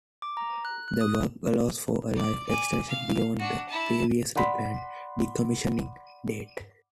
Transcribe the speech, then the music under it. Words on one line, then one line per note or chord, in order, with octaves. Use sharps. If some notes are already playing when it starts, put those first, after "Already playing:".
The work allows for a life extension beyond the previously-planned decommissioning date.
D6
A#5
F#6
F#6
D#6
D5
D5 G#5
F5
D4 F#4
E4 A5
D5 F#5 B5 C6 B6